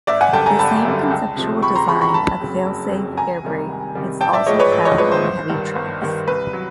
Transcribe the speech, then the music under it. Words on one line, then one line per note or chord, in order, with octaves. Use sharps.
The same conceptual design of fail-safe air brake is also found on heavy trucks.
G#1 D5 E5
F#5 G#5
F#2 D3 G3 G5 A5
G#5 A#5
G#1 A5 B5
F#2 D3 G3
C#2
C3 F3 G#3
C#2 B5 C#6
A#5 C6
C3 F3 G#3 B5 C#6
B5 C#6
A#5
F#1 A5 B5
F2 C#3 F#3
F#1
F2 C#3 F#3
C#2 G#5 A#5
C3 D#3 G3
C#2
C3 D#3 G3
A1 G5 A5
D5 E5
G#2 F3 G#3 C#5 D#5
B4 C#5
A1
C#5 D#5
G#2 F3 G#3 B4 C#5
C5
G1
G2 D#3
G1
G2 D#3
C2 B4
F#3